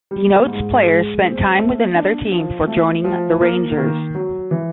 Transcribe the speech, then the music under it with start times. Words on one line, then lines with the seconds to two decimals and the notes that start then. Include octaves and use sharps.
Denotes player spent time with another team before joining the Rangers.
0.11 G3
0.48 G#2
0.85 G#3
1.21 C4
1.58 A3
1.95 D4
2.32 F3
2.68 A3
3.04 F3
3.41 A#3
3.78 D#3
4.15 F#3
4.51 E3